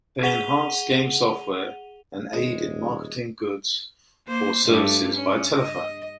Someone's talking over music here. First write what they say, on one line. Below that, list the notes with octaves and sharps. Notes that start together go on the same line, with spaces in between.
They enhance game software and aid in marketing goods or services by telephone.
G#4 F#5 D#7 F7 G7
D#1 G#3
A#3 C5
G2 A3
C#4
D#5